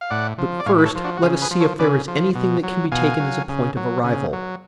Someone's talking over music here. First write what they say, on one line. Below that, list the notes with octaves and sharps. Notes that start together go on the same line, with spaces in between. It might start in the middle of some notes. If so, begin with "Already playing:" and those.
But first let us see if there is anything that can be taken as a point of arrival.
F5
A2 D5 F#5
F3
D5
A2 C#5 F5
B4
A4 C#5
F3
D4 F#4
F#4
C#3 F4 G#4
G#4 B4
F3
A4 C#5
C#3 B4 D5
F3
B2
F#3
B2 F5 G#5
F#3
C#3
F#3
C#3
F#3